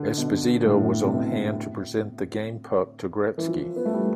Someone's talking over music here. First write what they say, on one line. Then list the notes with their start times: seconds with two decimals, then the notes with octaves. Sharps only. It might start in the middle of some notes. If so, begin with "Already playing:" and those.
Esposito was on hand to present the game puck to Gretzky.
Already playing: D3
0.18 B2
0.66 A2
1.04 C3
1.13 B2
3.38 E3
3.48 F3
3.76 B3
3.85 A3
3.94 G3